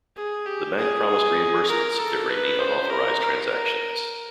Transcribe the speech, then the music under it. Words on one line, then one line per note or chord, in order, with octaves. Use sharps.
The bank promised reimbursements if there are any unauthorised transactions.
G#4
G4
G#4
A#4
A4
B4
C5
A#4
A#4